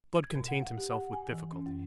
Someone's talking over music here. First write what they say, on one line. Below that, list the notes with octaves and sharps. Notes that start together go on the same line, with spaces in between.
Blood contained himself with difficulty.
G#6
B2
F#5
F5
G4
F#5
G#5
E3
C#4
F#2